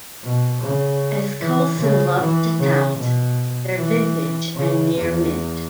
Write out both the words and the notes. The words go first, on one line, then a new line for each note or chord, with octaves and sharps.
As Coulson loved to tout They're vintage and near mint.
B2
C#3
E3
C#3
E3
C#3
B2
E3
C#3
E2